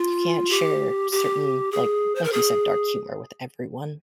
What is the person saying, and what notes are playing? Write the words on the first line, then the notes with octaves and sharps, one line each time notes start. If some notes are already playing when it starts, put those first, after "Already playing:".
you can't share certain, like like you said, dark humor with everyone,
Already playing: F4
G4
G4
G#4
C5
A#4
G#4